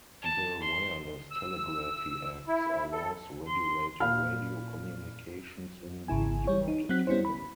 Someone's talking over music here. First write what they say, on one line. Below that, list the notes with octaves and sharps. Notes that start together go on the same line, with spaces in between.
The Wireless Telegraphy Acts are laws regulating radio communications in the United Kingdom.
A5
C6
E6
E4
A4
C6
A#2 F5 B5 F6
G#1 C#3 E4 G#5
G3 C#5
D#4
F#3 C4 F#4 F#6 B6
G3 B3 C#4 E4 C5
B5